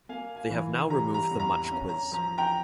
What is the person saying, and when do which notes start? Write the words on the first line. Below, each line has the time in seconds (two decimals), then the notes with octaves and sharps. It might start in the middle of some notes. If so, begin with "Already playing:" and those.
They have now removed the Much Quiz.
0.09 A#3 F5 G#5
0.36 F5 G#5
0.50 E3
0.90 G3 A#5
1.14 A#5
1.31 E2
1.40 A#5
1.64 A#5
1.72 C#4
1.89 A#5
2.12 F3 A#5
2.38 G5 A#5